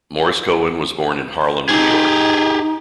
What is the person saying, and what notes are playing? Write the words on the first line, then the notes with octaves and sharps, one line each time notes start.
Morris Cohen was born in Harlem, New York.
D#4 G4 G#4